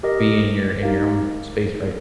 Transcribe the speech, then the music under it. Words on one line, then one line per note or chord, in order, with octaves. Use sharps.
be in your in your own space, right?
G4 A#4 D#5
D#4 G4 A#4 F5